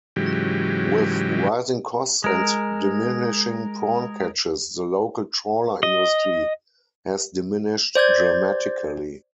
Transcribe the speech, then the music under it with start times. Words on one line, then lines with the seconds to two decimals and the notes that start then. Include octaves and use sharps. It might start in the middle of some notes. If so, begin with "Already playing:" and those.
With rising costs and diminishing prawn catches, the local trawler industry has diminished dramatically.
0.16 G#2 C#3 E3 F#3 G4
2.24 G#3 A#4
5.83 D#5
7.95 C5 D5 G6 G#6